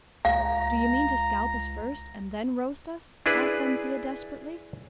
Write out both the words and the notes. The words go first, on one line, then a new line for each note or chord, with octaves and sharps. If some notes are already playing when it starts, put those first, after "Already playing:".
'Do you mean to scalp us first and then roast us?' asked Anthea desperately.
C#2 F5 A#5
D4 E4 G#4 B4